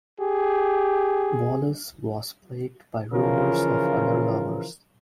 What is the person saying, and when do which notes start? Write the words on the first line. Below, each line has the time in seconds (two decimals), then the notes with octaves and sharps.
Wallis was plagued by rumours of other lovers.
0.20 G4 G#4
3.12 C#3 E3 F3 F4 A#4